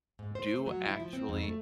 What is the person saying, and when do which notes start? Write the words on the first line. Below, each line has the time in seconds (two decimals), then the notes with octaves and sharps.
do actually
0.19 G#2
0.35 C5
0.54 A3
0.67 F#3
0.86 E4
1.00 F3
1.13 C4
1.29 F2
1.43 A3